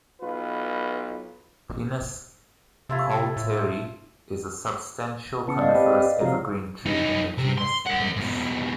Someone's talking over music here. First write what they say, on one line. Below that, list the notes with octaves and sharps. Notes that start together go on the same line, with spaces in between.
"Pinus coulteri" is a substantial coniferous evergreen tree in the genus "Pinus".
B1 F4 B4
C3 E4 F4 A4
A2
C#3 B3 E4 A5 C#7
D5 D#5 F5
C4 G4 B4
C3 F3 F#3 F5 A#5
B3 D#4
C3
C6
A#4 F#5
G#2 B2